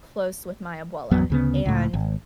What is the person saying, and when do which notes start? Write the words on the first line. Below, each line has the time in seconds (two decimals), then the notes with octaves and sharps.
close with my abuela, and,
1.11 G#1 E2 F#3 B3
1.30 D2 C#3 B3
1.66 C#2 A2
1.93 G#1